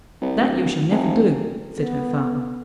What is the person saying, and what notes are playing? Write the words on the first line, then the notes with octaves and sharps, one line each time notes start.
"That you shall never do!" said her father.
C2
D1
F1
B3 A4